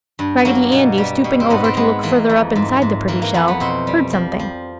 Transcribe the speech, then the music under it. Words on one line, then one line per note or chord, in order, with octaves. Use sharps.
Raggedy Andy, stooping over to look further up inside the pretty shell, heard something.
G2
F#3 A#3
B2
G3
B2
C4
G#2 B3
C4
G#3 B3
E3 A#3
F2
G#2
G#2
E3 A#3
A#3
F2 B3
B3
B2 C4
G3
F3
F3